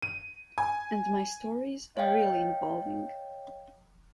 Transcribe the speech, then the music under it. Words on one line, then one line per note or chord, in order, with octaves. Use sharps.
And my stories are really involving.
D#7
G#5
C#5 D#5 F5 G5